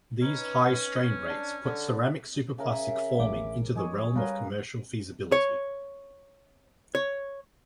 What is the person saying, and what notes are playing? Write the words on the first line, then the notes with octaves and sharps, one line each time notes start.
These high strain rates put ceramic superplastic forming into the realm of commercial feasibility.
C#4 D#4 B4
D4
D3
C#3 A#4 E5
A1 A3 D6
F3 G#3 G#4 C#5
G3 A#4 B4 C#5 F5
C#5
C#5